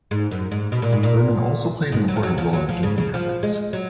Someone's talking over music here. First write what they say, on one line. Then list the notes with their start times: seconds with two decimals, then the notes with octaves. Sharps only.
Berman also played an important role in gaming companies.
0.11 G#2
0.31 F#2
0.52 G#2
0.72 B2
0.82 A#2
0.92 G#2
1.03 A#2
1.92 G#2
2.08 F#3
2.16 F3
2.23 F#3
2.38 F3
2.53 F#3
2.69 F3
2.83 C#3
2.98 C#3
3.14 F3
3.43 G#3
3.73 F#3